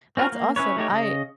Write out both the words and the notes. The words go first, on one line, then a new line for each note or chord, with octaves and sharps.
That's awesome. I
C4 C#4 F4 F#4 A#4
A#3
C#4 E4 B4 C#5
A3 D#4 G4 C#5
C#3 D#5